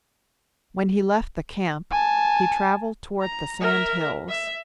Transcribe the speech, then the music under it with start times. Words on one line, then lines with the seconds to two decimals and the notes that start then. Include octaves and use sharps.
When he left the camp, he travelled toward the Sand Hills.
1.91 G#5 A5
3.21 A#5
3.60 A#4 E5
4.29 E5